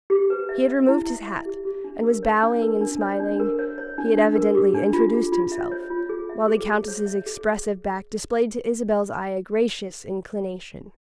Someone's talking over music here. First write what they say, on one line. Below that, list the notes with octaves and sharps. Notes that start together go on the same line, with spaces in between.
He had removed his hat and was bowing and smiling; he had evidently introduced himself, while the Countess's expressive back displayed to Isabel's eye a gracious inclination.
G4
B4
E5
E5
E4
E5
E5
G4
G4
D4
A#4
C#5
D4
A#4
D4
C#5
D4
A#4
C#5
C#5
D4
D4
A#4
G4
D4
F4
G#4
F4
E5
C#5
F4
G#4
E5
G#4
G#4
C#5
E5
G#4